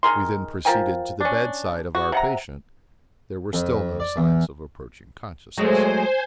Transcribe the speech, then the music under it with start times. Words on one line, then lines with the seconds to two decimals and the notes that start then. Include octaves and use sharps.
We then proceeded to the bedside of our patient; there were still no signs of approaching consciousness.
0.03 D#3 G#4 A#4 C6
0.65 F3 A#4 G5 G#5
1.21 C#4 D4
1.95 F#4
2.12 C3 F#5 A#5
3.53 F2
4.00 D5
4.17 E2
5.57 F#3 G#3 A3 C5 G#5